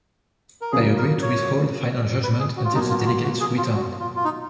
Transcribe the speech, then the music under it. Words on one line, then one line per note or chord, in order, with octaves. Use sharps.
I agreed to withhold final judgment until the delegates returned.
A#4
C#3 F#3 A#3 G#4
A#4
C#5
B4
G#4
F#4
F4
B2 F#3 A#3 D#4
F4
F#4
F4
F#4
G#4
F4
F#4
F4
F4
D#4